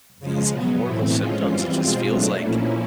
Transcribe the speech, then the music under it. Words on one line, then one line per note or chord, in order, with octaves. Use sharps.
these horrible symptoms, it just feels like,
C#3 F3 G#3
B2 F#3 B3
A2 E3 A3 C4
F3 G#3 C#4 F4
E3 G3 C4 F4
B2 G#3 C4 F4
F#3 A3 D4
A#2 F3 A#3 C#4 E4